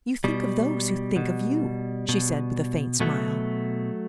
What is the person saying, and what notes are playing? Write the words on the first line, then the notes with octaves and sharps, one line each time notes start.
"You think of those who think of you," she said with a faint smile.
B2 G3
B2
B2
B2 F#3 A3